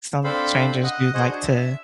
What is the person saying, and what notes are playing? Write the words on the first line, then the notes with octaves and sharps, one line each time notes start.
some strangers do like to
C4 D4 A4 C5 F5 B5
D#5 F#5
F#4 G#4 C5 D#5
D4
E5